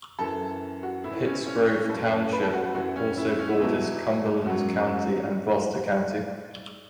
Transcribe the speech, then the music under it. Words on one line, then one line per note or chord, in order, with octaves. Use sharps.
Pittsgrove Township also borders Cumberland County and Gloucester County.
F#2 E3 A4
F#4
A2 E3 E4
E4
C#4
C#4
C#4
F#2 E3 A4
A4
B4
A4
F#4
F#4
F#2 E3 F#4
C#4
E4
E4
C#4
E4
E2 B2 F#3
F#2 F#3 F#4